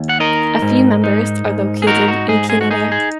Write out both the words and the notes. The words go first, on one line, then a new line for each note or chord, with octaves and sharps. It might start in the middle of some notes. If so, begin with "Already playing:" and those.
A few members are located in Canada.
Already playing: D#2
F#5
D#4 A#4 D#5
G#2
D#4
G#2
G#4
D#4 F#4 A#4
F#4
G#2 G#4
G#4
F#4
D#4 G#4
G#4